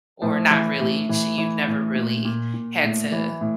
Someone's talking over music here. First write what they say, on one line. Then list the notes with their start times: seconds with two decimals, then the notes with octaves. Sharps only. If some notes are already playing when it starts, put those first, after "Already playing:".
Or not really, sh you've never really had to,
0.22 A2 F3
0.51 E3
0.81 A2
1.09 A2 E3
1.38 E3
1.67 A2
1.96 A#2
2.25 A#2
2.54 A#2
2.83 A2
3.12 E3
3.41 A2